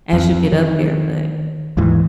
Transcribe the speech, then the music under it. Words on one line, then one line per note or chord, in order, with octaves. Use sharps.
as you get up there, but,
F2
D#3
D#2 G#2 E3